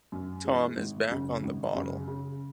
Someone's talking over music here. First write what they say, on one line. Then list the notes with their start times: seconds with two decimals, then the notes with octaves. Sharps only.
Tom is back on the bottle.
0.12 F#2
0.45 E3 G#3
0.76 G#1
1.10 F#2 C#3
1.43 G#1
1.74 F#2 C#3
2.08 C#3